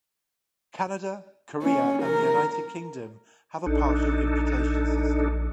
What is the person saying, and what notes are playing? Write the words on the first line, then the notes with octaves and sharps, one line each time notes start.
Canada, Korea and the United Kingdom have a partial imputation system.
C#4
A#4
A#1 D4 D#4 A4